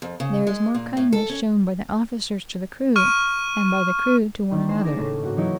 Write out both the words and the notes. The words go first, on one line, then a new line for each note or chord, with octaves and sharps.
There is more kindness shown by the officers to the crew, and by the crew to one another.
F2
C#3
G#3
A#2
A2
A4
C#4
C#6 F6 D#7
D#3 E3 A#3 D4
G#4 C5 C6 E7
D6 D#6 G#6 A#6 D7 E7
A2 C#3 A3
G#2 A#3 F#4
E3 F#3 D#4 E4 C#5